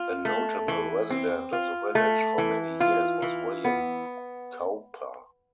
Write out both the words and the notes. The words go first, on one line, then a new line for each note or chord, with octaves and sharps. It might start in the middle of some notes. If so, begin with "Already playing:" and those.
A notable resident of the village for many years was William Cowper.
Already playing: F4
A3
E3
C4
F4
A3
E3
F4
E3
B3